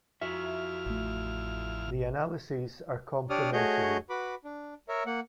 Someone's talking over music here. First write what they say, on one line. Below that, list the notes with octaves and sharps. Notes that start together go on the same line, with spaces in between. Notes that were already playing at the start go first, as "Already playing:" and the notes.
The analyses are complementary.
F2 E4 F#4 E5 F6
A1 A3
D4 G4 C#5 D5 D#6 F6
A3 F#4 G#4 C#5 D#5 G6
F#4 B4 B5 D6
D4
A#4 C#5 E5
A#3 F#5